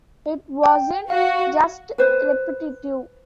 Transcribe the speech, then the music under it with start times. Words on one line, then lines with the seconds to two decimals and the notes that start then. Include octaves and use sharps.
It wasn't just repetitive.
0.64 G5
1.10 F#4 F5
1.98 B4 C5